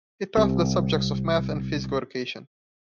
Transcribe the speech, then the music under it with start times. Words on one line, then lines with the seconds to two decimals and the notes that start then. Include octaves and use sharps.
He taught the subjects of math and physical education.
0.37 C2 C3